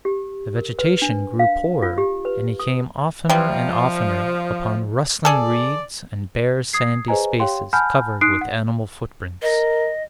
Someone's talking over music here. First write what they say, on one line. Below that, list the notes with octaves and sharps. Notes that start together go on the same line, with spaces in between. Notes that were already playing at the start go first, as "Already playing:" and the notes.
The vegetation grew poorer and he came oftener and oftener upon rustling reeds and bare sandy spaces covered with animal footprints.
G4
A#4
B4
D4
F5
F4
G4
B4
D#6
C3 F3 G3
G#4 A4 D5
D#6 G#6 C7
G#4 B4 C5 D#5 G#5 A#5
G4 C#5 F5 G5 C6
F#5 G#5 A5 B5 F6 G6
D#4 C6 D#6 F#6 C7 D7
F#5
A#4 D#5